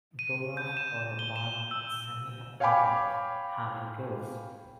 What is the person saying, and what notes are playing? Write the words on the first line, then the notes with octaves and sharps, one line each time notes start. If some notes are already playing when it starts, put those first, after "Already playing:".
Dora for her part is semi-aquatic, having gills.
D#7
G6
E7
G7
E7
E6
C#5 F5 G5 G#5 B5 D6